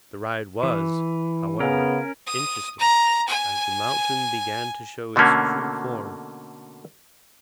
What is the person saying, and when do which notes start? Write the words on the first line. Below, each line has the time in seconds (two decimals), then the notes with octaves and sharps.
The ride was, however, interesting, as the mountain began to show its true form.
0.63 E3
1.60 C#3 B3 C#4 A#4
2.27 D#6
2.80 A#5
3.28 G#5
5.16 B2 D3 A3 A#3 C#4